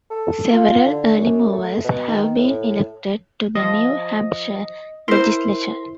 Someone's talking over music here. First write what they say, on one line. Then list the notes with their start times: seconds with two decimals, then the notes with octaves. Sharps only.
Several early movers have been elected to the New Hampshire legislature.
0.10 A4
0.52 F4
0.86 D3
1.18 F#2
1.52 A3
1.84 B2
2.08 D#3
2.38 A2
3.55 F3 D#5
5.08 E4 A#4 C5 C6